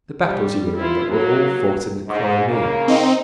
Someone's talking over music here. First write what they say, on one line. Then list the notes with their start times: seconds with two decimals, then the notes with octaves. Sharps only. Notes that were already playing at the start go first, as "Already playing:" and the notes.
The battles, you remember, were all fought in the Crimea.
0.24 G3
0.77 E4 F4
1.12 F#3 A#3
2.08 G#2
2.48 C#3 A#3
2.88 C4 D#4